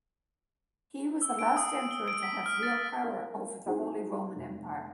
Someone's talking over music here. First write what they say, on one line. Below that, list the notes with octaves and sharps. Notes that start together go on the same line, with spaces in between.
He was the last emperor to have real power over the Holy Roman Empire.
E6
D7
D#6
G7
D7
B6
F6
A6
A#4 F5
C4 D#4 E4 F#4 G#4 C5
F1